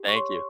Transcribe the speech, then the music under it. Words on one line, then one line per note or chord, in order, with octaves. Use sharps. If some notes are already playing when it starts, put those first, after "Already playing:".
Thank you.
Already playing: G4
C#6
C#5 C6